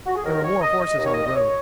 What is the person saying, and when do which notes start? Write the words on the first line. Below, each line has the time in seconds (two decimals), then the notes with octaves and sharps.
There were more horses on the road.
0.06 F#4
0.15 G#4
0.24 D#2 D#3 A#4
0.42 C#5
0.61 D#5
0.80 D#5
0.97 D#2 D#5
1.01 D#3 C#5
1.12 D#5
1.24 D#5
1.35 C#5